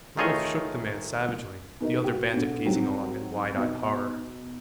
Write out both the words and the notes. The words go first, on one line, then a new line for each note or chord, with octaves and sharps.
The Wolf shook the man savagely, the other bandit gazing on in wide-eyed horror.
D#3 A3 F4 G#4 C#5 D#5
B2 D#3 A#3 D#4
F#4 G4
B2 D3
D#3 F#3 C4 G4
B2 D#4